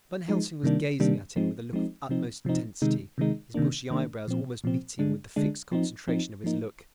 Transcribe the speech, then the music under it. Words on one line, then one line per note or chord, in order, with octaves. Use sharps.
Van Helsing was gazing at him with a look of utmost intensity, his bushy eyebrows almost meeting with the fixed concentration of his look.
F3 G#3 D#4
C3 D#3 G3 A#3 D4
C3 D#3 G3 A#3 D4
F3 G#3 C4 D#4
F3 G#3 C4 D#4
C3 F3 C4 D#4
C3 F3 C4 D#4
C3 D#3 G#3 D#4
C3 D#3 G#3 D#4
C3 D#3 A#3 D4
C3 D#3 A#3 D4
A#2 F3 C4
A#2 F3 C4
D3 G#3 D4
D3 G#3 D4
F3 C4 D#4
F3 C4 D#4
F3 A#3 D#4